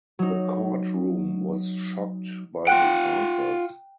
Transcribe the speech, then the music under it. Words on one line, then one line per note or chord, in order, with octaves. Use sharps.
The court room was shocked by his answers.
F#3 D#4
F4 F#5 G5 F#6